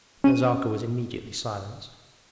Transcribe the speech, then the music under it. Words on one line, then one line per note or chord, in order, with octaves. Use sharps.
Nazarka was immediately silenced.
C#4 D#7